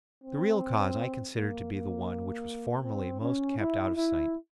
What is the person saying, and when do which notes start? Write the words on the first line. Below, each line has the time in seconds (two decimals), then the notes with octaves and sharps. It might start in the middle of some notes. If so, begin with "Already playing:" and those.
The real cause I consider to be the one which was formally most kept out of sight.
0.24 C4
1.35 A#3
1.72 A#3
2.84 C4
3.21 C#4
3.59 E4
3.96 E4